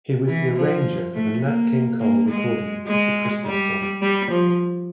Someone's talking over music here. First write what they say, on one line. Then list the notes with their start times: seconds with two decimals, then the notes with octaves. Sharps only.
He was the arranger for the Nat King Cole recording of The Christmas Song.
0.28 E3
0.56 F3
1.15 A3
1.43 A#3
2.00 A#3
2.29 G#3
2.87 G#3
3.44 G3
4.02 G3
4.31 F3